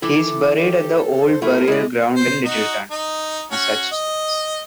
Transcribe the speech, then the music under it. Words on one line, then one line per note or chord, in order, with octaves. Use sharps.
He is buried at the Old Burial Ground in Littleton, Massachusetts.
E3 E4 A4 D6
G4
C5
A3 E4 F4 A#4
G#3 E4 D5
C5
D#4 F#4
D#4
C#4 F#4
D#5